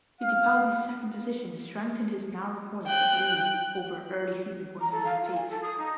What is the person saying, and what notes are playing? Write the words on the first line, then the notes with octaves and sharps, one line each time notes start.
Fittipaldi's second position strengthened his narrow points lead over early season points leader Pace.
F5
G5 F#6
A#5
A4
F5
F4
G#5
A4
D#6
D#4